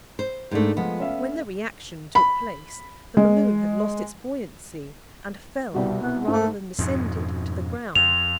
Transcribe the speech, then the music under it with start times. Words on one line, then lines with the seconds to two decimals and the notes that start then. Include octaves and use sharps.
When the re-action took place, the balloon had lost its buoyancy, and fell, rather than descended, to the ground.
0.19 C5
0.51 G#2 A3 A#3 D4
0.77 F3 G#3 B3 F4
1.00 C#4 E5 F5
2.15 B5
3.17 G#3
5.74 C2 B2 G3 F#4
6.01 B3
6.28 G#2 A3
6.78 F2 G#2 B2
7.96 F2 F7